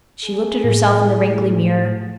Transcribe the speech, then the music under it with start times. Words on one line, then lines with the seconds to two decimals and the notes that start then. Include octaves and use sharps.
She looked at herself in the wrinkly mirror.
0.24 G#4
0.64 A2